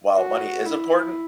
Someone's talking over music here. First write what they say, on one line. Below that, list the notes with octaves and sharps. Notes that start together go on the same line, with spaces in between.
while money is important
F#4
E4